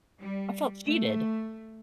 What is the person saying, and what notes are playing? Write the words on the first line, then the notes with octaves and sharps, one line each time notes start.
I felt cheated!
G3
A3